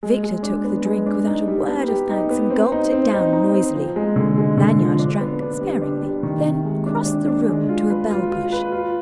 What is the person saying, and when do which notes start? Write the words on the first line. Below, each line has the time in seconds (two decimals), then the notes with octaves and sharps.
Victor took the drink without a word of thanks and gulped it down noisily. Lanyard drank sparingly, then crossed the room to a bell-push.
0.03 G#3
0.23 G#3
0.43 D4
0.64 B3
0.85 G#3
1.06 D4
1.27 D#4
1.48 G3
1.68 B3
1.88 G4
2.09 D#4
2.30 B3
2.50 C4
2.72 D#4
2.92 C4
3.13 D#4
3.33 D#4
3.55 C4
3.75 F3
3.96 G#3
4.16 D3
4.38 G#3
4.57 D3
4.78 F3
4.99 D4
5.21 B3
5.40 D4
5.61 G3
5.82 D4
6.02 G3
6.23 D#3
6.45 C3
6.65 G#3
6.86 D4
7.06 D4
7.28 D4
7.49 G#3
7.69 F4
7.90 B4
8.10 F4
8.31 F4
8.52 B4
8.72 F4